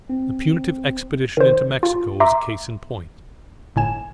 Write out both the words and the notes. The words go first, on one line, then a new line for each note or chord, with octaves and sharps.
The punitive expedition into Mexico was a case in point.
C4
D#3 C5
F4
E5 A#5 C6 D6
G1 A2 G#5 E7